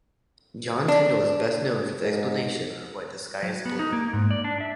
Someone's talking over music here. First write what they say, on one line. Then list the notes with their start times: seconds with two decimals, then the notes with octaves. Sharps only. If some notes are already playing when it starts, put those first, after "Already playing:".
John Tyndall is best known for the explanation of why the sky is blue.
0.88 D4
2.02 G#2
3.43 F#3
3.65 B3
3.79 D#4
3.93 A#3
4.13 G#2
4.31 D5
4.44 D4
4.60 E5